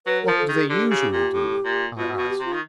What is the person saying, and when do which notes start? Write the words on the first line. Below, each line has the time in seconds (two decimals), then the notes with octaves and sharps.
"What do they usually do?" I asked.
0.06 F#3 B4
0.22 A#4
0.28 F3
0.38 A4
0.49 D#3 G#4
0.70 D3 G4
0.91 C#3
1.13 A#2
1.34 A2
1.65 A#2
1.97 B2 F4
2.13 F#4
2.18 B2
2.29 G4
2.40 C3
2.45 F4
2.53 D#3